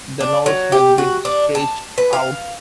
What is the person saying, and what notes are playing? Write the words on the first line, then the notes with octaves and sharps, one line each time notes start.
The nose has been stretched out.
D4
F#3
G4
F#4
D4
A5
B4
F5